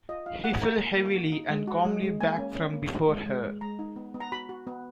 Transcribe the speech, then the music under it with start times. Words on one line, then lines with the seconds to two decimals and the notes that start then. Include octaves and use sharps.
He fell heavily and calmly back from before her.
0.09 F4 D#5
0.26 F4 F5
0.44 A#3 F#5
0.62 F4 A#5
0.79 A#3
0.97 A#3
1.15 F#4
1.32 D#4
1.50 G#3
1.67 F#4
1.85 G#3
2.02 G#3
2.20 A#3 G#5
2.38 C#4
2.55 C#4
2.73 A#3
2.90 F#4
3.09 G#3
3.26 G#3
3.44 G#3
3.61 G#3 A#5
3.79 D#4
3.96 B3
4.14 B3
4.20 A#5
4.32 F#4 B5
4.49 F#4
4.67 B3